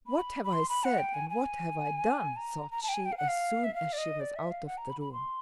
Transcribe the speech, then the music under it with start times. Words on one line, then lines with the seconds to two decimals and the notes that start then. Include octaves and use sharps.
"What have I said and what have I done?" thought she, as soon as she was out of the room.
0.07 B5
0.44 B5
0.53 C6
0.69 B5
0.84 F#5
0.98 G5
1.14 G#5
1.30 G#5
2.36 A#5
2.71 A#5
2.83 A5
2.89 G5
2.94 G#5
3.05 G5
3.12 F5
3.17 F#5
3.28 F5
3.64 E5
3.75 F5
3.93 D5
3.98 D#5
4.20 D5
4.36 E5
4.51 F5
4.66 F#5
4.78 A#5
4.90 B5
5.01 B5
5.12 C6